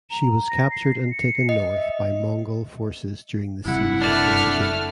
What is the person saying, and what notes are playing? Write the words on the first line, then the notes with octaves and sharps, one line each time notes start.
She was captured and taken north by Mongol forces during the siege of Bianjing.
A#5
A#6
C7
C#7
D#5
E5
F#1 C3 G3 E4 F#5
A3 D4 D5 F6